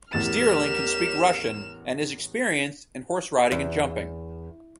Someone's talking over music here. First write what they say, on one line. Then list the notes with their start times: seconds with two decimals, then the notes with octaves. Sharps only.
Stirling can speak Russian and is experienced in horse riding and jumping.
0.13 A1 E2 G4 A#4 F6 A6 E7
3.52 E2